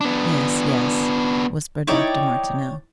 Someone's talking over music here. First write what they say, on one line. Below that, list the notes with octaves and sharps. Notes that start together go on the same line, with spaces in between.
"Yes, yes," whispered Dr. Martineau.
B3 D4
D#4 E4 C#5 D5 G5